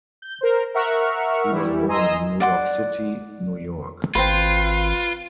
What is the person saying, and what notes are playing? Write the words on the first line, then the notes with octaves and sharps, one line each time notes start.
He was born in New York City, New York.
G6
A#4 C5
A#4 E5 F#5 C#6 F6
E3 G3 E4
D#5 G#5 A#5 C6 D#6 E6
D5 F#5 C6
G#1 F4 B4 C5 G5